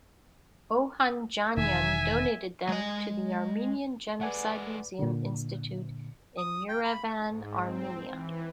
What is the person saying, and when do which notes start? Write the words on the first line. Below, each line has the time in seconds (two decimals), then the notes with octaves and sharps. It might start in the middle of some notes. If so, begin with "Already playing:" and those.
Ohandjanyan donated them to the Armenian Genocide Museum-Institute in Yerevan, Armenia.
1.57 E1 D#3 E5 G#5
2.69 G#3 D#5
4.21 A3 G#4 B4 D5 F#5 G#5
4.99 A#2 D3
6.38 D#6
6.69 G5
6.84 B5
7.27 G#2
7.60 C4
8.09 E3